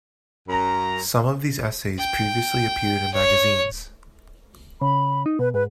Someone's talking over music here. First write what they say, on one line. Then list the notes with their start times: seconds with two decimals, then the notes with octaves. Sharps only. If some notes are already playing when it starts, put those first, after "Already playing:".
Some of these essays previously appeared in magazines.
0.49 F#2 A#5
1.99 G5
3.14 C#5
4.81 C#3 B5
5.26 D#4
5.39 B2 B4
5.54 G#2 B4